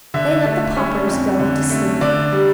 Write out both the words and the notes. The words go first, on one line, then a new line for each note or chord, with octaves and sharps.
They let the paupers go to sleep!
D3 E5
A3
C#4
F2
D3
A3
D3 D5
G3